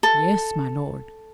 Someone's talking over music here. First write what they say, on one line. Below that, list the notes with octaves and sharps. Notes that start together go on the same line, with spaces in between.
"Yes, my Lord!"
A4